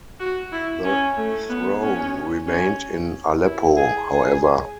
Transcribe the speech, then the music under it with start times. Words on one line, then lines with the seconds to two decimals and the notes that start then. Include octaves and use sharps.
The throne remained in Aleppo, however.
0.20 F#4
0.52 E4
0.84 C#4
1.17 A3
1.49 B3
1.82 C#4
2.47 C#4
3.44 E4
3.77 G#4
4.09 G#4